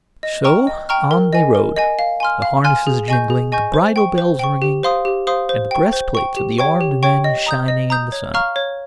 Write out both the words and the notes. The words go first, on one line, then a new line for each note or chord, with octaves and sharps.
So on they rode, the harnesses jingling, the bridle-bells ringing, and the breastplates of the armed men shining in the sun.
D#5
G5 A#5 C#6 F6
D#5
G5 A#5 C#6 F6
A#4
D#5 G#5
A#4
D#5 G#5
F5
G#5 C6 F6
F5
G#5 C6 F6
G#4
D#5 G#5 C#6 G6
G#4
D#5 G#5 C#6 G6
C5
G5 C#6
C5
G5 C#6
G4
C5 F5 C6 D#6
G4
C5 F5 C6 D#6
C5
G5 C#6
C5
G5 C#6
G4
C#5 G5 C#6
G4
C#5 G5 C#6
D#5
A#5 D#6 G6
D#5
A#5 D#6 G6
C#5
F5 A#5 C#6 F6
C#5